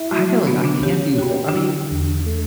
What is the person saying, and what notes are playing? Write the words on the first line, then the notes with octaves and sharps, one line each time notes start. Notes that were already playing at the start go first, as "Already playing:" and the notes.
I feel like I can't do hor I mean,
Already playing: E4
F#3 A3
A3
D3 B3
D4
C#4 G4
F#4 G4
D4
D3 E4
E2
A3